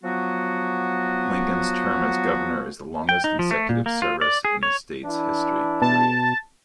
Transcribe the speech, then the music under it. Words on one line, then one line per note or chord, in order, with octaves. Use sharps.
Lincoln's term as governor is the longest consecutive service in the state's history.
F3 F#3 B3 F#4
G5
D#4
F3
A3
A#2
A#3
F4
D5
G#4
C#5
E3 D4 E4
B2 A5